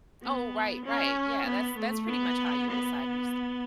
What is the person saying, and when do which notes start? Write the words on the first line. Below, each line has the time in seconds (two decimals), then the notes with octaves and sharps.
Oh, right right, yeah, that's that's pretty much how you decide who's
0.23 B3
0.85 C#4
1.46 B3
1.78 A3
2.08 B3
2.70 B3